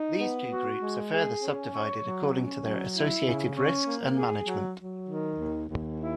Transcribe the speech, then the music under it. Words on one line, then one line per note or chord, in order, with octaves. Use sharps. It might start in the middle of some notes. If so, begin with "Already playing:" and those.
These two groups are further subdivided according to their associated risks and management.
Already playing: D#4
B3
F#4
G#3
G#4
C#4
C#5
F#3
C#4
F#3
E4
C#3
C#4
A#3
G#4
F#3
F#3
D#3
D#2
D#2
E4